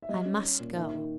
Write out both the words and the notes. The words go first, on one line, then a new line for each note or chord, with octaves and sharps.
I must go.
E5
G3 D#5
C#4
C#4
A#2
D#3 E5
D#3